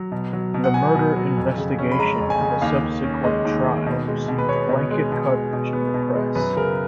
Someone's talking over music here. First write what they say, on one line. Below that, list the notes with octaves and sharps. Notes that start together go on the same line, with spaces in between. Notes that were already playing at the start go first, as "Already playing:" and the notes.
The murder investigation and the subsequent trial received blanket coverage in the press.
Already playing: F#3
B2
F#3
B2
F#5
B3 G#5
B2
F#3
F2
C#3
C#4
B5
G#3 A#5
F2
G#5
C#3
D#2 F5
D#3
C#4
G#3 D#5
D#2
D#3
B2
G#3
B2
B4
B3 C#5
B2
G#3
B2
G#3
B2
B3
B2
G#3
F#2 B4
C#3 A#4